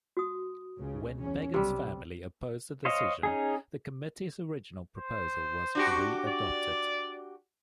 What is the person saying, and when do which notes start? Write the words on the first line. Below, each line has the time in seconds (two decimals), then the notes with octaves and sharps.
When Begin's family opposed the decision, the committee's original proposal was readopted.
0.17 F#4 D#6
0.78 C#2 C#3
1.19 E2 C#4
1.54 B1 C3 G3 G4
2.85 C5 C#5 D#5 F5
3.23 C#4 D#4 G#4
4.98 C5
5.75 D4 F#4 G4
6.28 D5